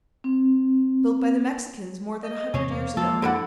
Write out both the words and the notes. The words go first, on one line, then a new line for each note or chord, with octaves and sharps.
"Built by the Mexicans more than a hundred years ago."
C4
D#5
E2 C3 A3 G#4 C#5
A#3
F3 G#3 F4 A4
D3 D4 E4 A4 F#5